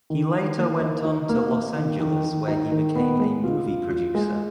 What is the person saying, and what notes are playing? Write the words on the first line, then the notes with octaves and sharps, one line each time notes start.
He later on went to Los Angeles where he became a movie producer.
D#3
D#3
A#3
D#4
D#4
A#3
A#3
D#3
D#3
D#3
D#4
D#3
B3
G#3
F4
F4
F4
G#3